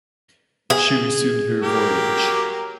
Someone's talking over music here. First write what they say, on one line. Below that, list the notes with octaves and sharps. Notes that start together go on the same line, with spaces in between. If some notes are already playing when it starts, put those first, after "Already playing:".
She resumed her voyage.
G#4
F#3 A#3 G4